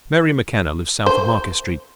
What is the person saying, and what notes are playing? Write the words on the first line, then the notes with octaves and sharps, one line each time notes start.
Mary McKenna lives south of Market Street.
C5